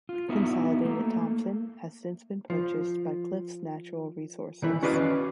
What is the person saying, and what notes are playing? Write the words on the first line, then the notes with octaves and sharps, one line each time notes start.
Consolidated Thompson has since been purchased by Cliffs Natural Resources.
F4
B3 D#4 E4 F#4
A3 A#3
F3
D#3 E3 E4
C#4 F#4 B4 D5 D#5 F5